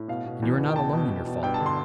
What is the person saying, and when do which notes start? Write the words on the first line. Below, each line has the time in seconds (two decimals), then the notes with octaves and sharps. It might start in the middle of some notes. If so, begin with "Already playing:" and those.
And you are not alone in your fault.
Already playing: A2
0.08 B2 F5
0.26 B2
0.42 E2
0.59 B2
0.69 G5
0.76 B2 A5
0.93 B2
1.09 B2
1.27 B2
1.43 G2 G5
1.54 A5
1.61 D3
1.66 C6